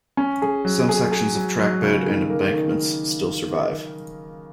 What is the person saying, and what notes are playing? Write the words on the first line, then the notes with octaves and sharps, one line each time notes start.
Some sections of trackbed and embankments still survive.
C#4
G#4
F#3
G#4
G#4
F#3
F#3
C#3
D#3
A#3
D#3